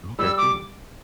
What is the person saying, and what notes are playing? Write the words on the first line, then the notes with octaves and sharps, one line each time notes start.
Okay, cool.
G3 E6
D6